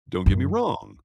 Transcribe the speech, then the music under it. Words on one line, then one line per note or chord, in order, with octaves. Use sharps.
don't get me wrong,
F#2